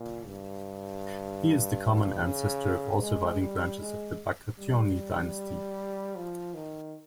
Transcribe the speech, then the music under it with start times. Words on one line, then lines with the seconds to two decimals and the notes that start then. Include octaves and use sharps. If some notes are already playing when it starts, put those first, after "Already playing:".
He is the common ancestor of all surviving branches of the Bagrationi dynasty.
Already playing: A#2
0.27 G2
2.22 C#3
3.01 G#3
3.40 G3
3.80 G#3
4.59 G3
6.16 F3
6.54 D#3